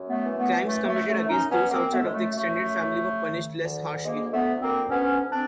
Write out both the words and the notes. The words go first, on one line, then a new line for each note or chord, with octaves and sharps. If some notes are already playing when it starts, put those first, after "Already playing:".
Crimes committed against those outside of the extended family were punished less harshly.
Already playing: F#2
A3 B3
E3
A3 B3
F#2 A3
A#3
A3
F#2 A3
C#4 D#4
F#2 B3 C#4
A#3 C4
F#2 A3 B3
G#3
A3
F#2 A3
C#3
D#3
D2
D2 G#3 A#3
A3 B3
D2
A#3 C4
D2 B3 C#4
C4 D4